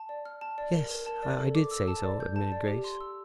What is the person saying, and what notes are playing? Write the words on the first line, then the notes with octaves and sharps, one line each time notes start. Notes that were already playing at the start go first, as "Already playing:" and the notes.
"Yes, I did say so," admitted Grace.
Already playing: A5
D5
F6
A5
D5
A#4
A#4
A5
D5
A4
D6
E6
A5
D5
G6
A5
D5
G4
C6
E6